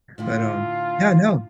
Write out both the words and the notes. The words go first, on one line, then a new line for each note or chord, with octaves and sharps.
but, um Yeah, no
A2 D3 E4 F4